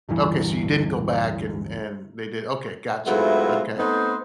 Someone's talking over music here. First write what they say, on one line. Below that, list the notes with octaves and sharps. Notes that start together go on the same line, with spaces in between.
Okay, so you didn't go back and and they did okay, gotcha, okay.
D1 G1 G2 E3
G#2 F#3 A3 B3 E4 F4
A3 B3 C4 D#4 C5